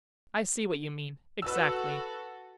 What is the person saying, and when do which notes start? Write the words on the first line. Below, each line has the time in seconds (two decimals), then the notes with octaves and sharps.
I see what you mean, exactly.
1.42 F#4 A4 B4 E6